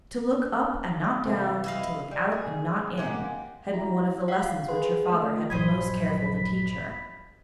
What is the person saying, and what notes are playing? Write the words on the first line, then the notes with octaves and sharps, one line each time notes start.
"To look up and not down, to look out and not in," had been one of the lessons which her father had been most careful to teach her.
C3 E3 G3 C4 F4 A4 E5
E4 D#5 F5
G3
G#4
G#3 A#3 G4 F#5
E4 F#4 A#5
F5 F#5 C7
G#4 B4 C6
A3 F4
A#1 G2 F#3 C5 D#5 G#5 B5